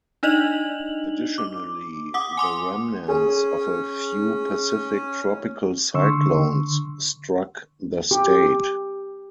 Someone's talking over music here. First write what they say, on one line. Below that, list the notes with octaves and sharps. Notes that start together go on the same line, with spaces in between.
Additionally, the remnants of a few Pacific tropical cyclones struck the state.
D4 D#4 D5 D#5 F7 F#7
D6
F#5 D6 D#6
G#5 C6 D6
C#4 G#4
D3 C6 C#6 E6
G4